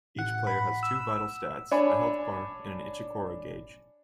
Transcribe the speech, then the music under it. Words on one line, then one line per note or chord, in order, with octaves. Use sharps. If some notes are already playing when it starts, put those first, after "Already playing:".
Each player has two vital stats, a health bar and an Ichikoro Gauge.
A1 F#5
B5
E6
D4 C#5 G#5 B5